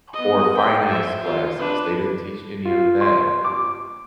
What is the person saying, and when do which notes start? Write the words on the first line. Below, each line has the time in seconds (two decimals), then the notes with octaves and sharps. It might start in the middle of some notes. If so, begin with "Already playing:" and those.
or finance classes, they didn't teach any of that.
0.13 B3 D#5
0.55 G5
0.89 C5 E5
1.22 F4
1.58 D4 B4
2.65 F4
3.01 C6
3.45 D6